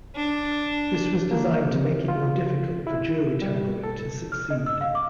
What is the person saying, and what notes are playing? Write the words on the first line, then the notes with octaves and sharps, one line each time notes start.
This was designed to make it more difficult for jury tampering to succeed.
D4
A#3
C3
F4
E4
G3
A4
F6
D#5
E6
F5
D6